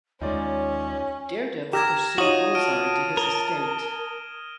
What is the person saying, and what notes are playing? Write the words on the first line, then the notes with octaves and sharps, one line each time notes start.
Daredevil pursued Bullseye to his estate.
D#2 G#3 C#4 D#4 F4 C#5 D5
G4 A#5 E6 F6 G#6 A#6 E7
D#4 F4 F#4 C#5 D#6 D#7
A5 F6 D7 D#7
A#4 G7